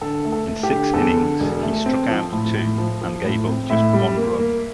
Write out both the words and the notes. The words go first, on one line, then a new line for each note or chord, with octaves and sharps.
In six innings, he struck out two and gave up just one run.
D3 A4
A3
A4
A3
G4
D3
E2 A4
D3
E1
A3
C4
F3
A2
A2
F3
F3
A2
C4
A2 E5
G3
A#3
A#3